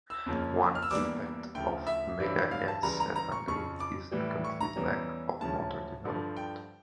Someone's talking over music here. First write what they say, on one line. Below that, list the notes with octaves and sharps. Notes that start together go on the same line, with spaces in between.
One impact of megalencephaly is the complete lack of motor development.
E6
F2 C#3 F3 A#3 C#4
F6
E6
E2 E3 G3 A#3 D4 D6
D2 C#3 F3 G5
E5
G2 E3 G3 C#4 E4
F5
A5
C#2 C#3 E3 G3 A#5
A#5
A#5
C#6
F2 C#3 F3 C#6
D6
A2 E3 G3
C#6
A#5
E2 E3 G3 C#4
D2 C#3 F3 C#4 A5
G2 D3 F3
G5